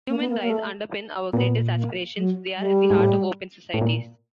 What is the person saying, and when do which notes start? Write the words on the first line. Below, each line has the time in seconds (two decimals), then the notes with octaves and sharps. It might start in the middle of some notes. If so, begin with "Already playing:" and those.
Human rights underpin our greatest aspirations: they're at the heart of open societies.
0.09 A#3
0.20 B3
0.30 A#3
0.42 A#3
0.50 A3
1.33 A#2 B3
1.74 A#3
2.16 F#3
2.57 G3
2.90 G#2
2.99 A2
3.74 A2
3.81 A#2